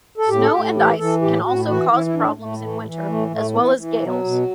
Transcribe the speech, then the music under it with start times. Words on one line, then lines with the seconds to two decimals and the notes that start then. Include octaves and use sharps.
Snow and ice can also cause problems in winter, as well as gales.
0.18 A4
0.28 A2 G4
0.42 A4
0.51 A2 G4
0.75 E3 G4
0.99 E3 A4
1.21 A2 G4
1.44 A2 F#4
1.68 E3 F#4
1.92 E3 E4
2.06 E4
2.14 A2 D4
2.37 A2 A3
2.61 E3 A3
2.84 E3
2.99 G3
3.07 A2 A3
3.30 A2 A3
3.54 E3 B3
3.77 E3
4.01 B2 F#3
4.24 B2